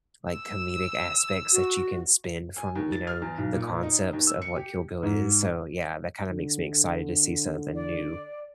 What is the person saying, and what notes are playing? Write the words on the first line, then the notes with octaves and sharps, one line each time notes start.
like, comedic aspects that you can spin from, you know, the concepts of what Kill Bill is, so, yeah, that kinda makes me excited to see something new,
E6
F#4
G#5
D#2
A6
F6
E2
B1
A#2
D#4
D#2
E6
C#7
G4
G#2
D3
D5